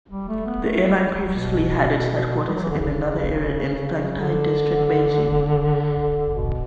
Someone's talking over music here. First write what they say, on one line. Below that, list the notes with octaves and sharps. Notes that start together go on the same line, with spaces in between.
The airline previously had its headquarters in another area in Fengtai District, Beijing.
G3
A3
B3
A3
G3
F#3
B2
G3
F#3
E3
D3
C#3
D3
B2